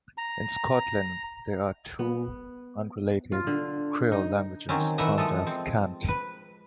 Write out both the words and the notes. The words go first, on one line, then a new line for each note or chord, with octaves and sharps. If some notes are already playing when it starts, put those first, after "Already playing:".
In Scotland, there are two unrelated creol languages termed as "cant".
A#5
B3
F4
D3
D#4
D#3 F#3 C4 C#4
D#3 E3 A3 E5 F#5 A#5
F3 G#3 A4
C4
B4